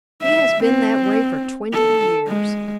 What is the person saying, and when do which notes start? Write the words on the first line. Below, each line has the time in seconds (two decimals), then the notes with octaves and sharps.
He has been that way for twenty years.
0.22 E5
0.64 C4
1.73 A4
2.28 G#3